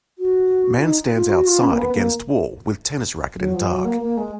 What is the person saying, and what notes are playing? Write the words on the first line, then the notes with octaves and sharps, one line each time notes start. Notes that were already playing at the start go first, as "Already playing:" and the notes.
Man stands outside against wall with tennis racket in dark.
F#4
F4
D#4
F4
F#4
F4
C#4
A#3
B3
A#3
F#3
F3
F#3
A#3
A#3
G#3